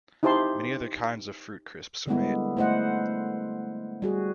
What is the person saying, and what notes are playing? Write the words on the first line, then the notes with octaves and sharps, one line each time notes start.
Many other kinds of fruit crisps are made.
D#4 E4 G4 C5 A5 C6
D3 G3 G#3 A#3 B3 E4
A3 E4 C5 D#5 F#5
G3 F#4 G#4